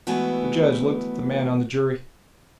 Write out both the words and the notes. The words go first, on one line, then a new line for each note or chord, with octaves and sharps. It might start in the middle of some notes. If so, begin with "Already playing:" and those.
The judge looked at the man on the jury.
E3 G#3 A3 B3 E4 F#4